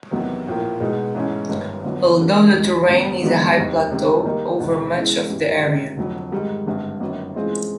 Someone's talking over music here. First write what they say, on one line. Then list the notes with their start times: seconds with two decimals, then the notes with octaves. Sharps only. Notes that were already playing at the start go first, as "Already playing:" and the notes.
Although the terrain is a high plateau over much of the area.
0.11 E2 C3 D#3 F#3 B3
0.47 A#1 A2 F3 A#3
0.80 B2 G#3 B3 D#4
1.15 G#2 E3 A3 C#4
1.49 G1 G2 D#3
1.83 G1 F2 D3 F#3 B3
2.19 D3 G3 A#3 C#4
2.53 D#2 D#3 G3
2.87 A1 G2 D3 F#3 B3
3.22 G#2 D#3 F#3 B3 D4
3.56 F1 D#2 D#3 G3
3.91 C#2 C3 D#3 G3
4.25 D#3 G3 A#3 D#4
4.60 E1 D2 C3 D#3
4.94 C#3 E3 G#3 B3 E4
5.28 A1 G2 E3 G3
5.62 C#2 C3 D#3
5.97 F1 F2 D3 F#3
6.32 G#2 D#3 G3
6.66 G#1 G2 D3
7.00 G1 F#2 D#3 F#3
7.35 C#3 E3 G#3 C4 F4